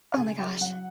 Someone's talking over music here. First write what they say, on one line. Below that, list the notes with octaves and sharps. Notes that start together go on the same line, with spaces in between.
Oh my gosh.
C#3 G#5
F#3 G5
F#3 F#5